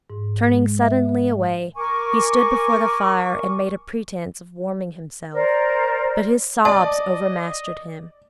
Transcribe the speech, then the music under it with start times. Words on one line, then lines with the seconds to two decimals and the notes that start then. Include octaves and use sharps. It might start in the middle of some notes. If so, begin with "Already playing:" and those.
Turning suddenly away, he stood before the fire and made a pretence of warming himself; but his sobs overmastered him.
0.10 G#2
0.49 G#3
0.81 E5
1.75 A#4 G#5 C#6 D6
5.33 A#4 C5 D5
6.65 D5 D#5 A5